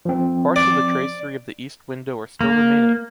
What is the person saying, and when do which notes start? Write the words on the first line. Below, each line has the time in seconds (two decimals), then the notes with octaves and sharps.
Parts of the tracery of the east window are still remaining.
0.05 F3 C4
0.56 D5
2.41 A#3